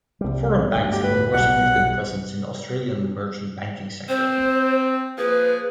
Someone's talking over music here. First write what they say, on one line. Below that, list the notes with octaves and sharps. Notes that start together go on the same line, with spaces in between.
Foreign banks have a more significant presence in the Australian merchant banking sector.
C2 G3
G1 D2 D3
G4
B4
B1 B2 G3 F#5
C4 C5
F3 A#3 G#4 B4